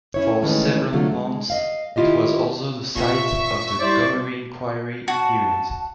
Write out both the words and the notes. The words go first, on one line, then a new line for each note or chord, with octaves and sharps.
For several months it was also the site of the Gomery Inquiry hearings.
C#4 E4 C#5
D#3 E3 G#3 A3 C#4
D3 F#3 A3 F4
G#3
D#5 F5
D#3 E4 F4 G4 D#5
A#2 E5 C#6
G3 E4 C5 D5
F#4 A5